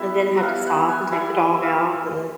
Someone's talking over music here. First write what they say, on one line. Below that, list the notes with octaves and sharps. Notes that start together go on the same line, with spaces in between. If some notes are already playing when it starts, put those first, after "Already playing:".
and then had to stop and take the dog out and
Already playing: G3 B3 E4 E5
F#5
G3 B3 E4 F5
F#5
G#5
G3 B3 E4 G#5
E5
F5